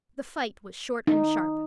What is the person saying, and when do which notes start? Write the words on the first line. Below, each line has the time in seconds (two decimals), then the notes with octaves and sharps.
The fight was short and sharp.
1.07 D#4